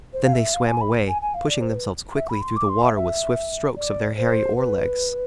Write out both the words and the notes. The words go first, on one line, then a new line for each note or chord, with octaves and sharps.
Then they swam away, pushing themselves quickly through the water with swift strokes of their hairy oar-legs.
C5
F5
E5
F5
G#5
B5
G#5
G#5
F5
D5
C5
B4
E5
B5
C6
D6
C6
E5
E5
D5
C5
B4